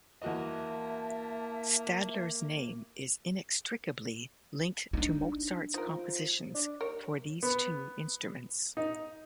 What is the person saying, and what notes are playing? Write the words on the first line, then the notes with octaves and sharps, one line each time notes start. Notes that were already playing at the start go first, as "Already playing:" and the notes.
Stadler's name is inextricably linked to Mozart's compositions for these two instruments.
E2 A#3 F#4 D#5 E5 A5
D4 D#4
F3 D#4 A#4
D4
D#2 A#4 C#5
B3
D#4